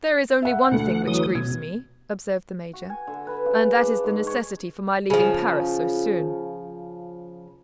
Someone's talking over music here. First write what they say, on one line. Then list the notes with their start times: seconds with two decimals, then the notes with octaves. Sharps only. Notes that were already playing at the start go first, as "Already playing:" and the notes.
"There is only one thing which grieves me," observed the major, "and that is the necessity for my leaving Paris so soon."
0.42 E5 F#5
0.71 D2 A4 F#5
1.07 E3 F#3 D#6
1.35 B2 G#6
2.73 F#4
2.90 G#5
3.07 D3
3.27 B4
3.46 C#3
3.81 D4
4.04 G#2
4.27 C#5
5.10 C#3 F3